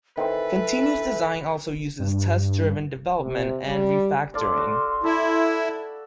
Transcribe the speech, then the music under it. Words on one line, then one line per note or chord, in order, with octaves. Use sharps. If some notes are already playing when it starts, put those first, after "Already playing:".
Continuous design also uses test driven development and refactoring.
D#3 E3 C4 A4 B4
G2
C3
G3
A4 D5 F5 C6
F#4
E4 A4